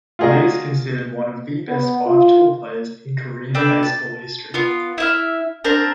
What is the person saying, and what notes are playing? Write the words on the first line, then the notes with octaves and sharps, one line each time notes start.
Lee is considered one of the best five-tool players in Korean baseball history.
F4 F#4 G#4 A#4 D5 D#5
B3
F4
D4 G4 A4 B4
A5
B3 F4
E4 E5 F6
C4 D4 A#4 A5